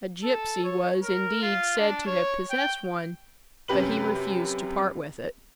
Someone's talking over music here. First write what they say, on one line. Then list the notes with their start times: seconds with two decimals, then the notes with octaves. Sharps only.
A gipsy was, indeed, said to have possessed one, but he refused to part with it.
0.23 A4
0.64 C#5
1.03 A#4
1.42 F4
1.78 D4
2.06 C#5
2.50 G5
3.68 F#2 C3 C#4 G4 B4 F#7